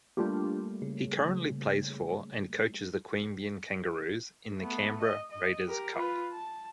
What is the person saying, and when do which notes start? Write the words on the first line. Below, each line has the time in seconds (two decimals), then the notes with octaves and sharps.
He currently plays for and coaches the Queanbeyan Kangaroos in the Canberra Raiders cup.
0.17 G3 A3 A#3 D4 F4 G4
0.82 C#3
4.58 A3 B3
5.01 D#5
5.31 D#5
5.66 G4 A#4
5.96 F4 B4
6.33 A5